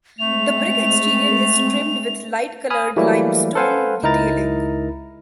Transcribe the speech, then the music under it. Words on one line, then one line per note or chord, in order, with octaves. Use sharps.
The brick exterior is trimmed with light colored limestone detailing.
G#3 A3 C4 F7
G#5 B5 D#6 F6
E3 F#3 G3 A3 A#3 E4
A4 B4 C5 F5 F#5 G#5
C#2 D#4 E4 A#4 A#5 A6